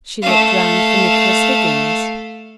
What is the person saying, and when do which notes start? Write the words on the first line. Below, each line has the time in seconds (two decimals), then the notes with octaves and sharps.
She looked round for Nicholas Higgins.
0.22 A3 F5